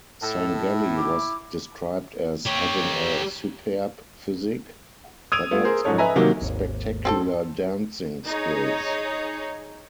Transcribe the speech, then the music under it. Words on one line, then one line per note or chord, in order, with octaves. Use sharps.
Sangalli was described as having a "superb physique", but not spectacular dancing skills.
A2 A4
E4
D6
G4 C#5
D#6 E6 G#6 D7 D#7 F7
A3 B3 F4
G#4 A#4 C5
F#1 G#2 F3 A4 C#5
B4 D#5 E5 G#5 A#5
C3 D#3 F#3 A#3
G#1 D#2
C4 G#4 A4
D#4 G#4 C#5